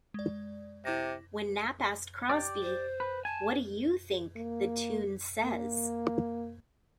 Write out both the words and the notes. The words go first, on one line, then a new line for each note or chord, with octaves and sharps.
When Knapp asked Crosby, What do you think the tune says?
G#3 D5
C3 E4 D6 A#6
G4 D5
C5
B4
G#5 A5
A#3
A#3